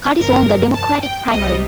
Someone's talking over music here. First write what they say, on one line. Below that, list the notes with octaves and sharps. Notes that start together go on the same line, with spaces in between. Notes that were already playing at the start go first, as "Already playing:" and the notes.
Curtis won the Democratic primary.
G1 F2 C3 A#4
A5
G5
C2 C3 G3 D#5